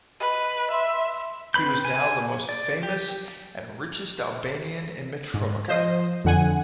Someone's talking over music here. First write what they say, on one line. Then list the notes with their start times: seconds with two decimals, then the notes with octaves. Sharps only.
He was now the most famous and richest Albanian in Mitrovica.
0.20 B4 D#5
0.71 E5 B5 C6
1.54 C4 B4 B5 G6
1.85 G#5
2.49 D5
2.83 G4
5.34 G#2
5.68 F3 C5 D#5
6.24 F2 D3 F#5 G#5